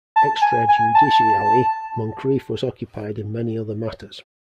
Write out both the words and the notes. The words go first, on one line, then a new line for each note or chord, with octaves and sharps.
Extrajudicially Moncreiff was occupied in many other matters.
A5
G#5
G#5
A5